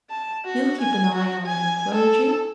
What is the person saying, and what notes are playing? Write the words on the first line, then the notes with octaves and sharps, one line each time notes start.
You'll keep an eye on them, won't you?
A5
F#4
G#5
F#4
G#5
A4